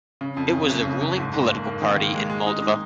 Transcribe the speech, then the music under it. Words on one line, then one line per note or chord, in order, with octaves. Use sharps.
It was the ruling political party in Moldova.
C#3
F2
C#3
F#1
C#3
F#1
G#2
G#2
A#3
A#3
D#3
A#3
G#3
G#3
D#4
D#4